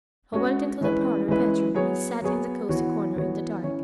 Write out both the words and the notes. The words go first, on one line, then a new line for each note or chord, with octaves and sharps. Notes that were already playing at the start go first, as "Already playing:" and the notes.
I went into the parlor bedroom and sat in the cozy corner in the dark.
G#3 C#4 F#4 C#5
E3 G#3 C#4 E4 B4
E3 G#3 C#4 E4 B4
F#3 B3 G#4 C#5
F#3 B3 G#4 C#5
E3 B3 F#4 C#5
E3 B3 F#4 C#5
E3 C#4 E4 C#5